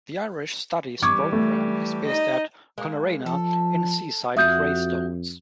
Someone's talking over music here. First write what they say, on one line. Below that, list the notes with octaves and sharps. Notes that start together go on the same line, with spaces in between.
The Irish Studies Program is based at Coolnagreina in seaside Greystones.
E3 G3 C#6 D6 G#6
A3
D#4 D#5
G#3 A#3
F3 A4
F2 F#4 E5 F#5 D#6 G6